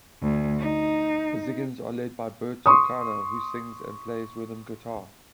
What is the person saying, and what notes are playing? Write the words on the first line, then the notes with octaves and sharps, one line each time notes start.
The Ziggens are led by Bert Susanka who sings and plays rhythm guitar.
D2
D#4
C6 C#6 D#6